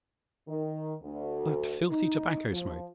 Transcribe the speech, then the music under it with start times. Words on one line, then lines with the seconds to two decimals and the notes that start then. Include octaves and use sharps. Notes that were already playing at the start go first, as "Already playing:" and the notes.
That filthy tobacco-smoke!
0.48 D#3
1.01 D2
1.90 D#4
2.53 F3